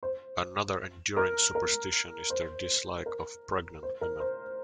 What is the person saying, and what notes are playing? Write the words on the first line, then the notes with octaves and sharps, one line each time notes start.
Another enduring superstition is their dislike of pregnant women.
C5
A#4
A#4
C5
A#4
C5
A#4
C5